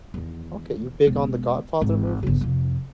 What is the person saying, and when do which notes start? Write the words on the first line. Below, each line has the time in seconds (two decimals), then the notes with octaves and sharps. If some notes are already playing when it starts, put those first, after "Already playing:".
Okay. You big on The Godfather movies?
0.14 E2 D#3
1.07 E1
1.81 G#1
2.23 G1 C#3
2.41 F2 C3